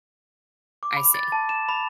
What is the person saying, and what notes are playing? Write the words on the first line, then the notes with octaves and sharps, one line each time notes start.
I see.
D6
B5
A6
A5
E7
B5